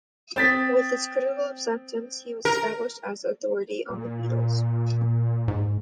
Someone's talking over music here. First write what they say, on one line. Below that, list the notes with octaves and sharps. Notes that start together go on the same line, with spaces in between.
With its critical acceptance, he was established as an authority on the Beatles.
C4 A6 B6
A#4
A#2
G#2